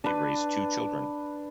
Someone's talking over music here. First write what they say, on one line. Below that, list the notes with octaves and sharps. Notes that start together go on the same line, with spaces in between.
They raised two children.
D4 B4